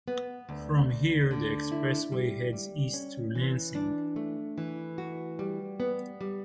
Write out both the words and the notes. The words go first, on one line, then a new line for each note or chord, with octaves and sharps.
From here, the expressway heads east through Lansing.
B3
D2
D2
D3
E4
G3
G3
C#4
E3
D4
A3
E3
F#4
G3
B3
G3